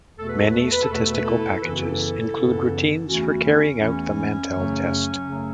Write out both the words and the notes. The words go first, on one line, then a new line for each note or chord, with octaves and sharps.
Many statistical packages include routines for carrying out the Mantel test.
E2 B2 A3 A4
B4
A4
B4
A4
B4
A4
E2 B2 A3 B4
A4
B4
E4 A4
F#2 C#3 E3 B3 B4
A4
F#4
E4 A4
F#2 C#3 E3 B3
E2 E3 A3 C#4 F#4
C#4
E2 E3 A3 C#4
F#2 C#3 F#3 A3
F#2 C#3 F#3 A3